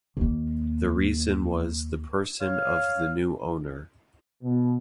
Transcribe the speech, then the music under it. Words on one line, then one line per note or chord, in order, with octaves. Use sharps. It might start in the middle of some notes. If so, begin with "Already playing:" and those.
The reason was the person of the new owner.
D#2 A#3
C#5 F5
B2